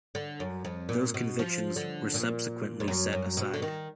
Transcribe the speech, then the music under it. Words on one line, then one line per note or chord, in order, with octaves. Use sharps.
Those convictions were subsequently set aside.
D3
F#2
F2
A#2
B2
F3
D3
A#2
F2
F#2
F#2
B2
D3
D#3